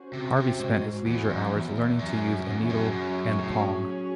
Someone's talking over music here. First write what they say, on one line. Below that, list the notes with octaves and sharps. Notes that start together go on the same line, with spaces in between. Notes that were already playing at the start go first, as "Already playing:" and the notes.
Harvey spent his leisure hours learning to use a needle and palm.
Already playing: C#4 F#4 C5
C3
C3
G#2
E2
F#2
E2
F#2
F#2 F#3 C#4 G#4 C#5
E2
F#2
F#2
A2